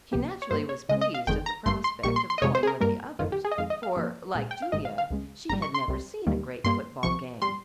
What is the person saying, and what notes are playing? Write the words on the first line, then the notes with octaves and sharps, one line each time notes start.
She naturally was pleased at the prospect of going with the others, for like Julia, she had never seen a great football game.
C#2 C3 F3 A#3 G4
C#5
G2 G3 A#3 C5
C#5
C#2 C#3 G#3 D#5
D#5
F5
G1 F2 D#3 G#3 G5
A#5
G#1 G2 G3 A#3 C6
C6
A#1 A#2 G3 A#3 C#6
C6
C6
D#5
F2 C3 F3 G#3 C#5
C5
G#4
A#4
G2 G3 A#3 A#4
G1 F2 D#3 F4
G4
G#4
D#5
F2 D#3 G#3 F5
D#5
F5
G2 F3 A#3
C2 A#2 G#3
G5
F5
G#1 G#2 D#3 G#3 D#5
F5
F5
C#2 C#3 G#3
G#1 G#2 G3 A#5
C#6
C6
C2 C3 G3
D#2 D#3 G3 A#3
G2 G3 A#3 C6
C2 C3 F3 C#6
G3 C6